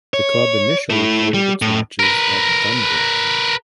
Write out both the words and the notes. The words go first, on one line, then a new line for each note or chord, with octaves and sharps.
The club initially played its matches at Dumbreck.
C#5
A3 E4
G3
A2
A#4 B4